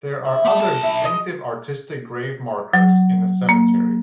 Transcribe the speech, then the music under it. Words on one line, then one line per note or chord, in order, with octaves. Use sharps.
There are other distinctive artistic grave markers in the cemetery.
E4
A3 A5
B1 A5
E4
G#3 D#5
F#3
A#3